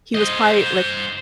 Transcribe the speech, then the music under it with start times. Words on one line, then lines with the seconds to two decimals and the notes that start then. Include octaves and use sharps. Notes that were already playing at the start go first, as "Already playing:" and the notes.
he was pi like,
0.15 C5 D#5